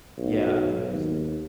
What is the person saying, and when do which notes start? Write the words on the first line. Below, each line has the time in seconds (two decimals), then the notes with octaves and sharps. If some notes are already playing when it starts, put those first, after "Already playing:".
Yeah, that makes
0.17 B1
0.93 D#2